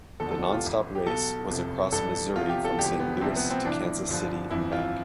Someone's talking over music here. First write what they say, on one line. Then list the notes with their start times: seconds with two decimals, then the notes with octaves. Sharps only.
The non-stop race was across Missouri from Saint Louis to Kansas City and back.
0.20 E1 E2 D3 F3 A4
0.31 A4
0.42 G4
0.52 F4
0.63 A1 A2 E3
0.95 G4
1.06 B1 B2 A4
1.49 F1 F2 C3 F3
1.92 A1 G2 E3 A4
2.35 E2 C3 F3 F4
2.49 G4
2.65 A4
2.78 E1 E2 D3 F3 G4
3.00 B3
3.21 C2 C3 F3 C4
3.36 B3
3.50 C4
3.65 B1 A2 E3 D4
4.08 G1 G2 D3 F3
4.50 G1 F2 E3 E4
4.72 F4